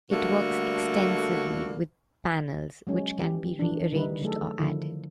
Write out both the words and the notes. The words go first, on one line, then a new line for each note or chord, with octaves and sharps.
It works extensively with "panels", which can be rearranged or added.
D3 G3 A3 A#3 F#4
F#3 G#3 C#4
E3 G4
E3 D4
D3 D#3 G3 D#4 E4 B4
F#3 A3 G#4 A4
D3 D#3 F3 E4